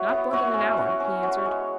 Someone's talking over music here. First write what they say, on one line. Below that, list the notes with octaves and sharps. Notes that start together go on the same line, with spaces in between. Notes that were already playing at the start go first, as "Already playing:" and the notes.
"Not more than an hour," he answered.
Already playing: E4 F#4 C#5 E5
B3
F#4 C#5 E5
C#4
F#4 C#5
C#4
F#4 C#5
G#3